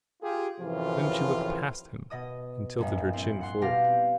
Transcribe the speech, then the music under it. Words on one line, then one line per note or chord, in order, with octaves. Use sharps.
Then she looked past him, and tilted her chin forward.
F4 G4 G#4
F#2 A2 C3 E3 F3 F4
B2 D#5 D#6
A#1 G2
C4 E4
F#5 C6
B2 G4 F5 A#6
C4